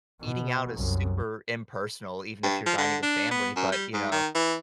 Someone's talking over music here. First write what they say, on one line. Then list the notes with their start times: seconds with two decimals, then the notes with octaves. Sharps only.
eating out is super impersonal, even if you're dining with family. But, you know,
0.22 B2
0.76 C2 F#2
2.43 G2
2.66 F3
2.78 D3
3.03 D4
3.31 B3
3.56 F#2
3.72 G3
3.94 G#2
4.12 D#3
4.35 E3